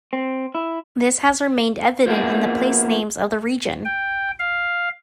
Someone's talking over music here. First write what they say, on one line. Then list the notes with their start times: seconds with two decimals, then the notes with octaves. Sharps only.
This has remained evident in the place names of the region.
0.13 C4
0.55 E4
2.06 F3 A#3 B3 G#4
3.85 G5
4.39 F5